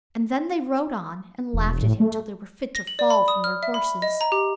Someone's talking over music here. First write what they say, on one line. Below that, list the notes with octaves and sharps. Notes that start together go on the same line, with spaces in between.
And then they rode on, and laughed at him till they were fit to fall from their horses.
E1
A2
A3
A#6
F#7
D5
B5
D#6
F6
E5
B5
D#5
A#5
G4